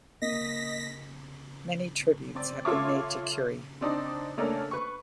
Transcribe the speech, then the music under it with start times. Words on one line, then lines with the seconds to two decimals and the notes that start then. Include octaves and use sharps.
Many tributes have been made to Currie.
0.22 A#3 D#5 A#6 B6
2.35 C4 D5
2.65 F4 A4 C#5 E5 D6
3.81 C4 D4 D#4
4.37 A3 A#3 C#4 D4 A4 A#4
4.71 B4 C#6